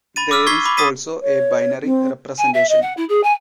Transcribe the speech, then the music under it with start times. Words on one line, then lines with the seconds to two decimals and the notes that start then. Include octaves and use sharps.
There is also a binary representation.
0.16 B5 A6 D#7
0.31 D6 E6 F6
0.47 C#6 G#6 B6 C7 G7
0.65 B5 D6
0.77 D6 D#6 A6 B6 C7 D#7
1.22 C#5
1.84 C4
2.38 G#5
2.54 E5
2.69 D#5
2.82 F#5
2.97 E4
3.09 G#4
3.23 G#5